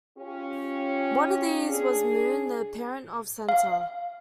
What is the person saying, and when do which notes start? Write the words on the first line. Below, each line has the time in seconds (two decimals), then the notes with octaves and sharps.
One of these was Moon, the parent of Center.
0.17 C#4 F4 G4
1.69 D4 G#4
3.49 F5